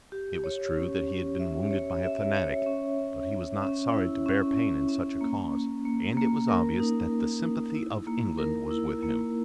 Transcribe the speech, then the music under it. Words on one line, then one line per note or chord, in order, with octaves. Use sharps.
It was true that he had been wounded by a fanatic, but he was not sorry to bear pain in such a cause, and it was obvious that the sympathy of England was with him.
G4
C#5
C#4
C#4
E5
C#5
E5
C#5
C#4
C#4
C#4
C#4
E4
C#4
C#4
C#4
A#3
A#3
A#3
A#3
A#4
D#4
A#4
D#4
E4
A#3
A#4
E4
A#3